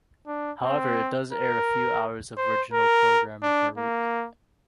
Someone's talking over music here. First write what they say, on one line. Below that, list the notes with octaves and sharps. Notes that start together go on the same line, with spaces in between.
However, it does air a few hours of original programming per week.
D4
C4
A#4
C5
A#4
D4
A#3